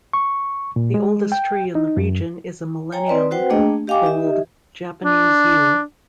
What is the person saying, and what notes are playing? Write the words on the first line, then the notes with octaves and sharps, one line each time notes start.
The oldest tree in the region is a millennium-old Japanese yew.
C#6
A#2
G#3
G5
D#4
F#2
C#5 G5 G#5 A#5
C4 B4 D5 D#5
C4 F#4 B4 C5 F#5 G5
A3 A#3 D4 G#4 D#5 G5
G4 D#5 F5 G5 G#5 D6
D#4 G4 D#5 E5
D4